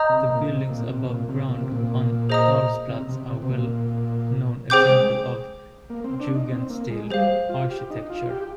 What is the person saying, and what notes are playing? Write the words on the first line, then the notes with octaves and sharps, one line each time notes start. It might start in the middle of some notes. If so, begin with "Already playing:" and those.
The buildings above ground on Karlsplatz are a well-known example of "Jugendstil" architecture.
Already playing: D#5 A#5 D#6 G6
C3
A#2
C3
A#2
C3
A#2
C3
A#2
C3
A#2
G#4 C5 D#5 A#5 D#6
C3
C3
C3
C3
A#2
C3 G#4 C5 G5 D6 G6
G#3
A#3
C4
D4
D#4
C4
A#3
G#3
G3 G#4 C5 F5
F4
G4
D#4
F4
G4